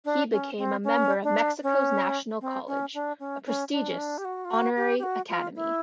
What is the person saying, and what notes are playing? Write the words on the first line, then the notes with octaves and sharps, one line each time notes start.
He became a member of Mexico's National College, a prestigious honorary academy.
D4
C#4
C4
C#4
D4
C#4
C4
C#4
D4
C#4
C#4
D4
C#4
D4
G4
F#4
F4
F#4
G4
G4
F#4
F4
E4